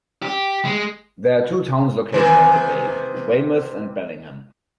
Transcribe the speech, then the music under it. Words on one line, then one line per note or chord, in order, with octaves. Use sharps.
There are two towns located on the bay: Weymouth and Bellingham.
G4
G#3
C3 D#3 E3